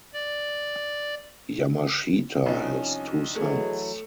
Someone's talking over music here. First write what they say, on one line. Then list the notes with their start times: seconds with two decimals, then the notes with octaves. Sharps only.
Yamashita has two sons.
0.14 D5
2.46 C2 F3 C#4 D#4
3.36 B2 E3 F#3 A3 G#4